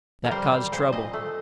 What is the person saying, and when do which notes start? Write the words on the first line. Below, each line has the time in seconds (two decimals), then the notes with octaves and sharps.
That caused trouble.
0.24 A#4
0.31 G3 C5
0.52 G3
0.72 A#2 C5
0.93 A#2 D#5
1.13 A3